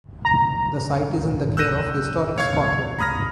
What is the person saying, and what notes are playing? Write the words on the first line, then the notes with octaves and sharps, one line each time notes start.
The site is in the care of Historic Scotland.
A#5
E6 F#6 G6 A#6 D#7 E7
C#5 F5 C#6 G#6
A#5 B5 D#6 F6 A#6